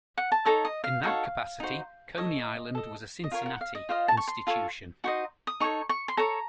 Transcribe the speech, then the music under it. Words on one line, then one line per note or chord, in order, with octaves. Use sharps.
In that capacity, Coney Island was a Cincinnati institution.
F#5
A5
D#4 A4 C#5 A#5
D#5
F5
D#4 F#4 A4 C#5 F5
D#4 F#4 C5
A4 C#5 D#5
A4 D#5
D#5
F4 A#4 C#5 F5
F5
F#5
F5
D#5
F4 C5 D#5 F5
A5
C#6
C6
F4 A4 C#5
D#4 F#4 C5 D#5
D#6
D#4 A4 C#5 C#6
C#6
C6
A4 C#5 A#5